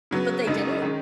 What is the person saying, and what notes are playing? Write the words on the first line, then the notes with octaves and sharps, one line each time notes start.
But they didn't?
C#3 F#3 B3
F#2 C#3 G#3 D#4
D#3 G#3 C#4